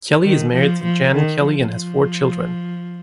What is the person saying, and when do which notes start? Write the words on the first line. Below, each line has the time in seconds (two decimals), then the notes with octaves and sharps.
Kelly is married to Jan Kelly and has four children.
0.23 D#3
0.53 F3
0.84 F3
1.15 D#3
1.45 F3